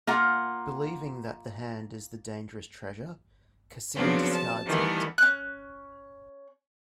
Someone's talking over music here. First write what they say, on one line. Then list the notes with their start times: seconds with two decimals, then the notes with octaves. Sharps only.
Believing that the hand is the dangerous treasure, Cassim discards it.
0.07 A#3 F4 F#5 A#5
3.94 C#3 F3 F#3 B3 C4 D4
4.31 A5
4.66 D#3 E3 G3 A3 B3
5.18 C#4 F#6